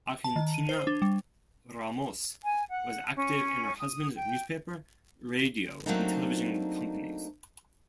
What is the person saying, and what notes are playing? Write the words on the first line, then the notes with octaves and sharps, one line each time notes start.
Argentina Ramos was active in her husband's newspaper, radio and television companies.
A5
D#3
D#7
C5
D4
G3
G#5
F#5
C#4
D#6
G5
F#3 A3 A#3 C4 D4 D#4